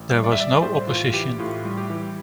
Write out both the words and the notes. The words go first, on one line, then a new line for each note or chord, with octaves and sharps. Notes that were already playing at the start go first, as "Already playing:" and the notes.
There was no opposition.
Already playing: A1
G3
D5
E5
G3 D5
A2 C5
E3 F4
E3 G4
A2 F4
G3
G4
E3